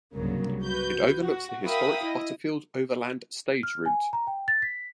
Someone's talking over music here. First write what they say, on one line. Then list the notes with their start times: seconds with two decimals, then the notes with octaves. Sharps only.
It overlooks the historic Butterfield Overland Stage route.
0.16 C2 G2 C#3 F#3 A#3
0.63 F#4 B4 G6
1.23 F#4
1.65 A#4 E5 F5 G5 B5 D#6
2.04 E4 D#5
3.63 F6
3.86 G#5
4.13 A#5
4.27 G5
4.48 A6
4.62 B6